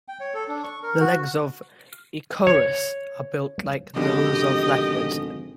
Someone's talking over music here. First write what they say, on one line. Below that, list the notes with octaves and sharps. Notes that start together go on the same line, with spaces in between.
The legs of "Ekorus" are built like those of leopards.
G5
C#5
A4
D4
C#6
A#4
F#4
C#5
G#1 F2 B2 D3 G4 D#5